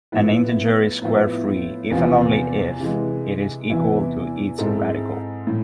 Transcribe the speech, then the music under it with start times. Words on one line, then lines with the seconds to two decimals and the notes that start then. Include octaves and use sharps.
An integer is square-free if and only if it is equal to its radical.
0.12 A2 F3 B3 E4 B4
1.02 A2 F3 B3 E4
1.90 E2 C3 F3 B3 F4
2.80 C3 E3 G#3
3.70 E2 C3 E3 B3 E4
4.58 G#2 G#3 C4 E4 A4
5.47 A2